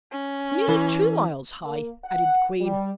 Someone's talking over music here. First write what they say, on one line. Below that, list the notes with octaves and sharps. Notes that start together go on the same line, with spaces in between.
'Nearly two miles high,' added the Queen.
C#4
E3
A#3
F#5
G3